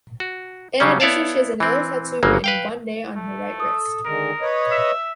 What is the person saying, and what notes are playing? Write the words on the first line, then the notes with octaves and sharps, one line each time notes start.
In addition she has another tattoo written "One Day" on her right wrist.
F#4
C#3 F#3 G3 C#4
B3 E4 C#5 D5 F5 A5
E3 C4
G1 C#3 F#3 A#3
B4 F5 G5
A3
A4 D#6
D3 D#3 G#3 A#4
B4 C#5 D#5
E5